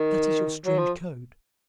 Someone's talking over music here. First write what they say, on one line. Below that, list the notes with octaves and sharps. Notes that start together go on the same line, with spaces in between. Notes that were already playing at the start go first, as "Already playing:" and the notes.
That is your strange code.
Already playing: D#3
F#3
F3